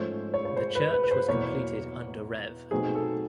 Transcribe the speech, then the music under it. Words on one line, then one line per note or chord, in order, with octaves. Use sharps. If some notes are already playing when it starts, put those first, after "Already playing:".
The church was completed under Rev.
Already playing: G#2 F3 A3 C#4 C5
C#5
C#5
C5
B4
B4
B4
C5
E2 B2 F#3 A#3 C#5
B2 F#3 A3 C4 D#4 G#4
A4